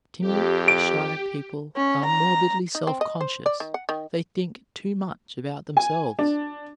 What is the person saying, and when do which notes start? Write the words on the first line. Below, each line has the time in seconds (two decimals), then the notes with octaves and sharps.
Timid, shy people are morbidly self-conscious; they think too much about themselves.
0.21 F2 G4
0.68 D7
1.76 C#4
2.06 A#5
2.75 D#4
2.87 C4
3.01 D#5
3.21 C5
3.46 D5
3.60 D#3
3.74 F#5
3.89 D#3
5.77 G#5
6.19 D4